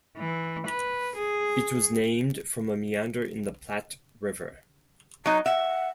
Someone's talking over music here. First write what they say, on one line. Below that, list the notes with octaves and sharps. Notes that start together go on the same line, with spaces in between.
It was named from a meander in the Platte River.
E3
B4
G#4
F#3 D#4 A#5
E5 F#5